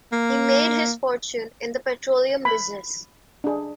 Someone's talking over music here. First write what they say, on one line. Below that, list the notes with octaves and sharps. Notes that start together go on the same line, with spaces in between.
He made his fortune in the petroleum business.
A#3
B5
D4 G#4